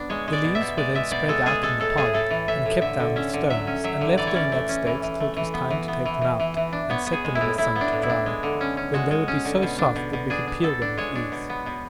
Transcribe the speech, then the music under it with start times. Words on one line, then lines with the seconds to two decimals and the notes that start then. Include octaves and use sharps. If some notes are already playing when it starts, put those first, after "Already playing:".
The leaves were then spread out in the pond, and kept down with stones, and left there in that state till it was time to take them out and set them in the sun to dry, when they would be so soft that we could peel them with ease.
Already playing: B3 D4
0.10 G#3 C#5
0.28 G#3
0.33 D5
0.44 B2
0.55 E5
0.61 B2
0.77 G#3 D5
0.95 G#3 E5
1.11 B2 D5
1.28 G#3 A4
1.46 G#3 G#4
1.63 G#3 A4
1.80 A2 A4
1.97 A2 G#4
2.14 A2 A4
2.30 E3
2.48 A2 E5
2.66 A2
2.81 D3 E5
3.00 D3
3.16 C#4 E5
3.34 D3
3.50 F#3 E5
3.67 C#4
3.84 F#3 E5
4.01 D3
4.17 E3 D5
4.27 C#5
4.34 C#4 D5
4.52 A3
4.69 C#4
4.87 E3
5.03 E3
5.20 A3
5.37 E3
5.54 B3
5.70 E3
5.88 B3
6.06 E3
6.21 E3
6.40 E3
6.57 E3
6.73 D4
6.90 B3 C#5
7.06 B3
7.13 G#4
7.25 G#3
7.35 E4
7.41 A2
7.58 A2 E4
7.76 B3
7.81 D4
7.92 A2
8.03 E4
8.09 D4
8.26 G#3
8.43 D3
8.61 C#4
8.77 C#4
8.94 G#3 F#4
9.11 G#3
9.28 C#4
9.45 D3
9.62 B2
9.79 D4
9.96 B2
10.13 B2
10.30 D4 G#4
10.47 D4
10.63 B2 A4
10.82 D4
10.98 G#3 C#5
11.15 D4
11.32 B2
11.50 B3
11.66 B2